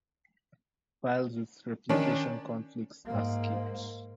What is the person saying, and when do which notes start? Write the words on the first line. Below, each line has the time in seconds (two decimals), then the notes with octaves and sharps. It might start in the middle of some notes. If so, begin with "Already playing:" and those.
Files with replication conflicts are skipped.
1.89 D#3 C#4 D4
3.06 G#2 A#3